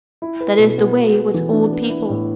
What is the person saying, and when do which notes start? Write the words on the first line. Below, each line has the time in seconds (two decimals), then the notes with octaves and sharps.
That is the way with old people!
0.22 E4
0.40 B4
0.59 B2
0.78 B3
0.96 F#4
1.16 A4
1.34 E3
1.53 D4
1.72 B3
1.90 E4
2.09 A2